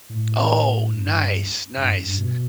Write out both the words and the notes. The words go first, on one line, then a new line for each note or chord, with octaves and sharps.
Oh, nice, nice.
A2
G2
G2
F#2
G2
B2